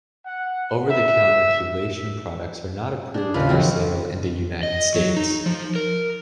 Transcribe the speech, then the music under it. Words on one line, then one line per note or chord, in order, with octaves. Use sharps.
Over-the-counter chelation products are not approved for sale in the United States.
F#5
E5
D4 G#4
D#2 A2 C#3 F4 B4
C#2 E3 F3 C4 F#4
D#5
F#3
D#4
F3
A#4